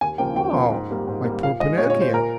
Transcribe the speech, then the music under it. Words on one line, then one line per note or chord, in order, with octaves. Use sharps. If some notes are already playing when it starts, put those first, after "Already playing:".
"Oh, my poor Pinocchio!"
D#2 G#5
C#3 F3 A#3 G5
D#2 G5
C#3 F3 A#3
G#2
G3 A#3
G#2
G3 A#3
A#2 F5
G#3 D#5
A#2 C#5
C#5
G#3
C5
A#2 A#4